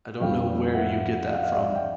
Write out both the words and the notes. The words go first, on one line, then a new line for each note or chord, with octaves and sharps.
I don't know where you get that from.
F2 D3 G3 F5 G5
E5 F#5
F5
F#5
D#5 F5
D5 E5
G5